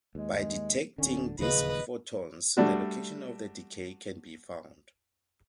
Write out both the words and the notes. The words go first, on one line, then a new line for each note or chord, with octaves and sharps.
By detecting these photons the location of the decay can be found.
D#2 G#3
D1 D3 C#4
D1 D#2 C#3 F3 B4 D#5
G3 A3 D4 F#4